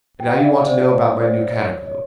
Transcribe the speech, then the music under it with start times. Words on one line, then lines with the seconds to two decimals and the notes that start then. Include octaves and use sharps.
And now you want to know about my new catacomb.
0.20 G5
0.28 F#5
0.37 F5
0.45 D5 E5
0.67 C5 D5
0.89 C#5
1.21 C5 D5
1.53 C#5 D#5
1.86 C#5 D#5